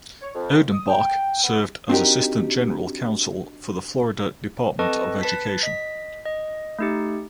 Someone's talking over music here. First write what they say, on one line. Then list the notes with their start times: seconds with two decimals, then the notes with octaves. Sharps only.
Odenbach served as assistant general counsel for the Florida Department of Education.
0.21 C#5
0.34 F2
0.71 D#6
0.88 G5
1.43 B3
1.89 C4 D4 D#4 F#4 G4 A#4
4.79 C4 A4 B4 D#5 A5 C#6
5.21 B4 A5 B6
5.63 D#5 B6
6.25 D#5
6.79 A3 D#4 G4